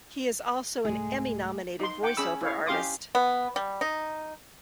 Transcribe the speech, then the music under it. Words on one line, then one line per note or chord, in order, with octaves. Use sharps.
He is also an Emmy nominated voice over artist.
C2 G#2 G#3 A3
D#4 C6
F#5 G5 D6
C#4 G#4 B5 E6
E4 C#5 F5
C#4 G4 F5 C6 D6 D#6
B3
G3
D#4